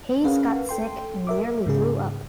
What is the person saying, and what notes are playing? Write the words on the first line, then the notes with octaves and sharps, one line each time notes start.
Hayes got sick and nearly threw up.
C#4 G#4 A#4 B4 F5 F#5
A4 G5 C6
A#4 E5 D6
G#2 C#3 G#4